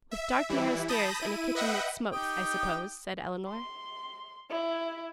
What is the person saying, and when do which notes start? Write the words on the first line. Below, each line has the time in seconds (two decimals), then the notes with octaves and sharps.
"With dark narrow stairs and a kitchen that smokes, I suppose," said Elinor.
0.11 E5
0.49 E3 G3 E4
0.89 A5 B5 D#6 G6 A#6
1.20 E4 D#7
1.55 B4 D#5 E5 F#5 G5
2.13 D#4 G4 G5 D#6
3.47 C6
4.50 E4